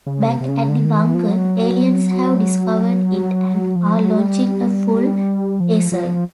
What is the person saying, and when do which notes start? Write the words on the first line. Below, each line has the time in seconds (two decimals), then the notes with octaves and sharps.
Back at the bunker, aliens have discovered it and are launching a full assault.
0.07 C#3
0.27 C3
0.41 C3
0.48 C#3
0.69 D3
0.84 D#3
0.99 E3
1.15 F3
1.31 F#3
3.76 F3
3.97 F#3
4.18 G3
5.60 F3
5.92 F3